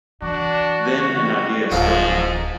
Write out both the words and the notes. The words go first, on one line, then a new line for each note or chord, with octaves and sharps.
Then an idea struck me.
E3 D4 F#4
G3
D1 G#2 F3 F4 C5